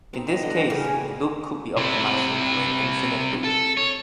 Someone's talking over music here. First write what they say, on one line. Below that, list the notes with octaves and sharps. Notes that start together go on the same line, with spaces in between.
In this case, the loop could be optimized into an infinite loop.
C4 D#4
B3 D#5
D3 F#5 G5
G4
C#3 G4 C5 D#5
B2 G#5
C3 E4
A4
C#5